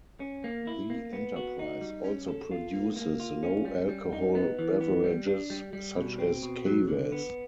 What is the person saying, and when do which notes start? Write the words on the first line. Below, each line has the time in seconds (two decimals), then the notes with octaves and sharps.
The enterprise also produces low-alcohol beverages, such as kvass.
0.20 C#4
0.44 A#3
0.67 E4
0.90 A#3
1.13 B3
1.36 F#4
1.59 D#4
1.81 G3
2.04 C#4
2.28 A4
2.51 F4
2.73 A#3
2.96 A#3
3.20 F4
3.43 C#4
3.65 G3
3.89 G3
4.13 D#4
4.35 B3
4.59 E3
4.81 B3
5.04 G3
5.27 D4
5.50 G3
5.73 G3
5.97 B2
6.19 C4
6.43 B2
6.66 F#3
6.88 D3
7.12 B3